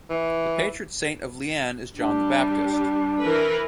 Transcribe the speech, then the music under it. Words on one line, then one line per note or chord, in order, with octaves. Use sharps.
The patron saint of Lian is John the Baptist.
E3
G3 D4
E3 A#4 B4